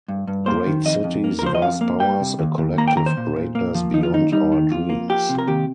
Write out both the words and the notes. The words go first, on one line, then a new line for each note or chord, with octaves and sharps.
Great cities, vast powers, a collective greatness beyond our dreams.
G2
G2
A#3 C5
D#3
F2 D#5
F2
A#3
A#4
F3 C5
D#5
F2 F5
A#3
G3 G5
C3
D#2
D#2
A#3 A#5
G5
D#3 A#5
C5
A#2
A#2
A#3
F3
D#2 D#4
F4
D#2 D#4
G3 D#4
D#3
F2 F4
A#3
F3 G4
C3
A#4
D#2 G4